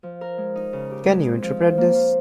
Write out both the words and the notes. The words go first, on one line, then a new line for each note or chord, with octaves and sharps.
Can you interpret this?
F3
A#4
G#3
D#4
C#3
G4
G#3
C4
F3
C5
A#3
F4